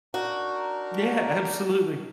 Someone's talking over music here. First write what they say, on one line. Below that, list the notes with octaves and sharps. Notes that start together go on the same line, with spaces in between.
Yeah, absolutely.
D4 D#4 F#4 A#4